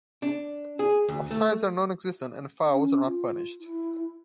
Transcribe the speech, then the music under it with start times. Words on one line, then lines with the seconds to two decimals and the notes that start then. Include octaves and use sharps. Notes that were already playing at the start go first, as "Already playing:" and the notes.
Offsides are non-existent and fouls are not punished.
0.22 D4
0.79 G#4
1.09 D2
1.31 A3
2.68 C#4
3.05 F4
3.60 E4